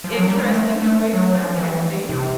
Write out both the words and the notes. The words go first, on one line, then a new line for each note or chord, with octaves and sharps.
Interesting choice for a cat name.
F3
F#3
G3
G#3
A3
A3
F#3
F3
E3
C3